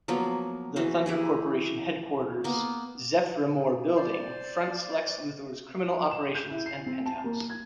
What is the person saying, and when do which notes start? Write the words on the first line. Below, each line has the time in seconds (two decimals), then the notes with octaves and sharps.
The Thunder Corporation headquarters "Zephrymore Building" fronts Lex Luthor's criminal operations and penthouse.
0.08 F3 F#3 A#3 B3
0.76 E3 F#4 C5
1.06 E4 G4 G#4
2.44 A#3 B3
3.96 C5 D5
6.11 E7
6.35 G6
6.50 E4
6.66 C7
6.86 C4
7.05 A5
7.24 A#3
7.50 G#6